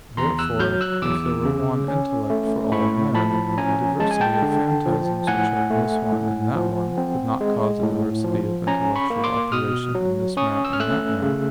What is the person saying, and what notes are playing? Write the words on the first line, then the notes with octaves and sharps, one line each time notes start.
Therefore, if there were one intellect for all men, the diversity of phantasms which are in this one and that one would not cause a diversity of intellectual operation in this man and that man.
E2 A#5 C6
E6 F#6
F#3 F6 G6
E6 F#6
E2 D6 E6
C#3
C#4
A3
A2 B5 C#6
F3 A5 B5
C#4 G#5 A#5
G#3 A5
G#5
G5 A5
D3
F3
A2 F#5 G#5
A3
A2
F3
C4
G#3
A2
F3
C#4 G#5 A#5
B5 C#6
A#3
C6 D6
B2 D#6 F6
F#3
C#4 C#6 D#6
E6
F6
A3 E6 F#6
C#3